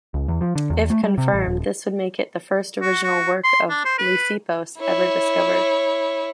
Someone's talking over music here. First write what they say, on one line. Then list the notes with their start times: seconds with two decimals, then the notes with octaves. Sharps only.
If confirmed, this would make it the first original work of Lysippos ever discovered.
0.14 C#2
0.28 E2
0.41 F3
0.56 D3
0.70 E2
0.90 A3
1.03 G3
1.18 C3
1.33 A1
1.46 D#1
2.82 F#4
3.04 F#4
3.44 C6
3.70 D4
3.85 C5
3.98 B4
4.79 E4 C#5